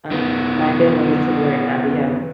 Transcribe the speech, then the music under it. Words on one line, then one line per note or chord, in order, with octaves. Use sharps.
Um, my family is similar in that we have
D#3 B3